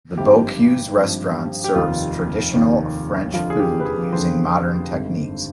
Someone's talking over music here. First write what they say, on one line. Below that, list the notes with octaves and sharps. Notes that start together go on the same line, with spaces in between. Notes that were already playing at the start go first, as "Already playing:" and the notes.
The Bocuse Restaurant serves traditional French food using modern techniques.
G#1 G2 F3 G4
G#1 G2 F3
G4
F1 D#2 D#3 F4
F1 D#2 D#3
F1 F2 D3 F3 F4
G#4
G4
B4
G#4
F1 F2 D3 F3 C5
G#1 G2 D3